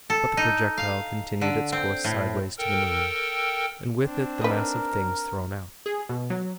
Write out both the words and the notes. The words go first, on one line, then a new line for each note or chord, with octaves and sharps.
But the projectile continued its course sideways to the moon, and with it the mass of things thrown out.
A4
D#4
F5
D3
C4
A2
A4 A#4 G5
C4 D4
D#4 A#4 B4
G#4
B2
F#3